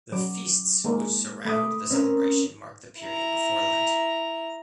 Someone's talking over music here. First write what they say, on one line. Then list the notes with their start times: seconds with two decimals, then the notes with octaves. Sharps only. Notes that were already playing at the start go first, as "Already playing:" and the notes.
The feasts which surround the celebration mark the period before Lent.
0.12 F#3 D6
0.84 G#3 A#3
1.45 A3 B5 D6 D#6
1.90 C4 C#4 A#4
2.99 E4 A#5